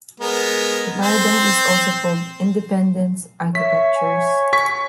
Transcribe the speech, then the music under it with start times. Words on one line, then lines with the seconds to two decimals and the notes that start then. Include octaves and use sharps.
This paradigm is also called "Independence" architectures.
0.20 G#3 B3 A#4
1.00 C4 C5
3.55 C#5 E5 B6
3.96 G#5
4.53 C#6 B6